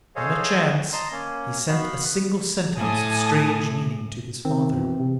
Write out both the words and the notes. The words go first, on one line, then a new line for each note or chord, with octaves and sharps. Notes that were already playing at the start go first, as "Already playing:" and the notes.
On a chance, he sent a single sentence of strange meaning to his father.
G#4 A4 C5 C#5 D#5 F5
D#5 A5 A#5 C6
A#3 C#4
B3 F#4 F5 B5
A2 G#5 A5 D#6
D#3 C4
B2 E3
C3